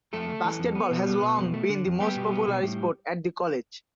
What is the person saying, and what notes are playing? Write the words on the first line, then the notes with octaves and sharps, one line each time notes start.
Basketball has long been the most popular sport at the college.
F2 A3 A4
A3
E3
F2
B3
B2
B3
B2
F2
A3
D3
F2
G3 B3 G4
B2
B3
B2
A2